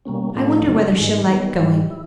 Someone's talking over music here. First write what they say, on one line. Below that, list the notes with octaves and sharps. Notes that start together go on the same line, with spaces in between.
I wonder whether she'll like going.
B2 G3 A#3 C#4
A2 F3 A3 D4
F#2 C#3 F#3
G#2 D#3 G#3
D#3 G3 B3
G#2 D#3 G3
E4